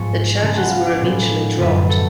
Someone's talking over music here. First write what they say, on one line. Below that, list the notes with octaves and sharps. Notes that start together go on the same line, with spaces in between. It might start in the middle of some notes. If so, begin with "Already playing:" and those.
The charges were eventually dropped.
Already playing: G#2 F3 G#3 B3 C#6
C#3 G#3 B3 A5
F#5
F5
D5
A2 F3 G#3 B3
F#2 D3 F#3 B3 B4
A4